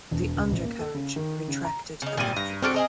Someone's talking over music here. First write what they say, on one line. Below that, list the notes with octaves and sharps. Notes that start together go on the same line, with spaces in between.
The undercarriage retracted electrically.
E1
C#2
A1
A#3
A4
C#3
D#3
C#3
A#5
C#3 D#4
G#1 A#2 G3 D#7
G2 A#5
C4 D4 F#4 A4 F6 D7
G#4 D#5 A#5